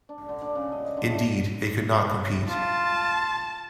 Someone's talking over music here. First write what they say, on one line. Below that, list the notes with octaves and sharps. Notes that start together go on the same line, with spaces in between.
Indeed, it could not compete.
D4
D3
D4
C#3
D#5
D#5
D3
A3
F4 A5